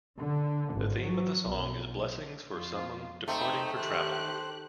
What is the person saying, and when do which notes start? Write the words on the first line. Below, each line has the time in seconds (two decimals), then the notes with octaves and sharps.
The theme of the song is blessings for someone departing for travel.
0.19 D3
0.73 G#1
1.03 F#3
1.48 B1
2.53 F2 F4
3.28 A3 C4 D#4 C5 G5
3.76 D#3 G4 C5 F#6